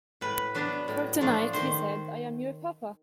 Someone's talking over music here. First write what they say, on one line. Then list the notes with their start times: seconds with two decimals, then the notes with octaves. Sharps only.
"For tonight," he said, "I am your papa!"
0.21 A2 B4
0.55 F#3 B3 D4
0.88 A2
1.21 F3 A3 D4
1.53 D#3 C5